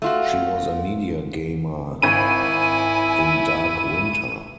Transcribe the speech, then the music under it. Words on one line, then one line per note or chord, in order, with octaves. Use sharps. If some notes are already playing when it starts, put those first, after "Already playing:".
She was a media gamer in "Dark Winter".
A3 F4 F#4
G#1 E4 G#5 B5 D#7